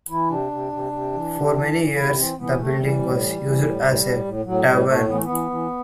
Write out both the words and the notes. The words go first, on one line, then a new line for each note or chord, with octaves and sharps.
For many years the building was used as a tavern.
E3 E4
C3 D4
C3
C3
C3
E3
C3
E3
E3
C3 E4
E3 C4
E3 B3
C3 A3
E3 G3
A2
E3
E3
A2
A2
A2
A2
A2 F#3
A2 G3
A2 A3
E3 B3
A3
B3
E3
E3